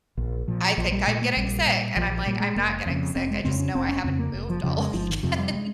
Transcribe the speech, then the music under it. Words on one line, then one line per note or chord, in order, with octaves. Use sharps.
I think I'm getting sick and I'm, like, I'm not getting sick. I just know I haven't moved all weekend.
A#1
A#2 F3
A#1 F3
G3
A#2 G#3
A#3
A#1 G3
A#2
A#1 F3
F3
A#2 G3
G#3
F1 A#3
F2 C#3
F1 C4
G#3
F2 C#3 C4
C#4
F1 C4
C#4
F2 C#3 C4
A#3
F1
F3
F2 C#3 F3
G#3
G1 F3
D#3
F2 C3 F3
G3
G#3